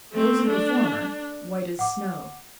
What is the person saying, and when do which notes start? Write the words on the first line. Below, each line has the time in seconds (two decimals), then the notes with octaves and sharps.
Those of the former white as Snow.
0.12 A3 C4
0.49 D4
1.79 F#5 D6